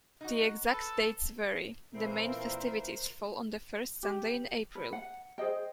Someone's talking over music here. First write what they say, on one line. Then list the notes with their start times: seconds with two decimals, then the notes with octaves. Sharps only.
The exact dates vary: the main festivities fall on the first Sunday in April.
0.21 D#4 F#4
0.69 A4 B4
1.94 A#2 E3 A3 A#3 C4 E4 A#4 C5
4.03 G4
4.75 B4
4.93 F#5
5.38 G#4 C5 D#5 G5